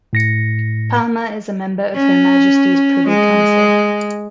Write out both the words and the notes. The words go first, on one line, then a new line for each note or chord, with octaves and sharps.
Palmer is a member of Her Majesty's Privy Council.
A2 A#6 C#7
C#4
G#3